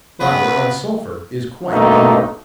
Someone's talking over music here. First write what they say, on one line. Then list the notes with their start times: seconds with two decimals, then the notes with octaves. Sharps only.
Flower of sulphur is quite pure.
0.20 C#3 B3 B4
1.73 G2 B2 A3 A#3 D#4